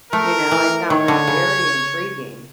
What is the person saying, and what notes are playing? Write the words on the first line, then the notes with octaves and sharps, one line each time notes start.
You know, I found that very intriguing.
A3 A#4
E3
D#3 C#5
D3
C#3